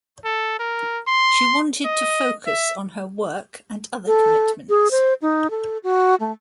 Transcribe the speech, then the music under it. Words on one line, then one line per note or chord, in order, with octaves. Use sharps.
She wanted to focus on her work and other commitments.
A4
A#4
C6
D#5
E5
A4
G#4
C5
D#4
A4
F#4
A3